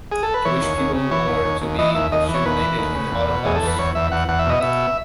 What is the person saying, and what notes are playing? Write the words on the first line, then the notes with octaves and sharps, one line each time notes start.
Jewish people were to be exterminated in the Holocaust.
G#4
A4
B4
E3 C#5
D#2
D#2
C#3
E3 C#5
D#2
D#2
D#2
E3 D#5
D#2 E5
D#2 D#5
E3
C#5
D#2 B4
E3
D#2
C#3
E2
B2
E2 G#4
A4
E2 B4
E2 C#5
E2 E5
E2 F#5
E2 F#5
E5
B2 D#5
B2 E5